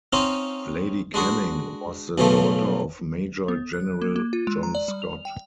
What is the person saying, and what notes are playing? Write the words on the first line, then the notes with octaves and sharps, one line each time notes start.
Lady Canning was the daughter of Major-General John Scott.
C4 C#4 D#4 F4
G#3 D4 F#4 G#4
B1 F#2 C#3 E3 F3 A3
B3
F#6
A#3
A#3
F4
G#3
A#5
D5
G3
F7
G5